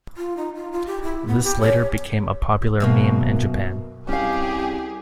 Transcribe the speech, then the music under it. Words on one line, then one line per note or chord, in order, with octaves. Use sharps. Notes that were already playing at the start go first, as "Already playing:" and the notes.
This later became a popular meme in Japan.
F4
D#4
F4
F4
G4
E4
B3
G4
C#5
F#2 B2 A#3
C2 C#4 G4 G#4 F5